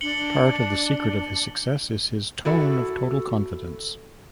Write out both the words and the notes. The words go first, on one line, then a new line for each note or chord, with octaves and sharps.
Part of the secret of his success is his tone of total confidence.
D4 C#7 F#7 G7
E4 F#4 A4